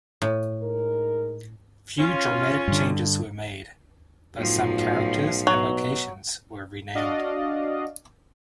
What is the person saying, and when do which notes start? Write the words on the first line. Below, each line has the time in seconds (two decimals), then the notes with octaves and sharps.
Few dramatic changes were made, but some characters and locations were renamed.
0.22 A2
0.62 G#3 D#4 A#4
1.99 C#4 F4
2.68 G2 D3
4.36 B1 A2 F3 F4
5.47 B2 F#3
6.95 D4 F#4 D5 D#5 F5